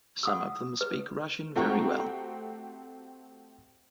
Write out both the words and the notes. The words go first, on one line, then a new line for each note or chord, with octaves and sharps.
Some of them speak Russian very well.
F#5 D#6 E6
B4
A3 C4 F#4 G4 A#5 C#6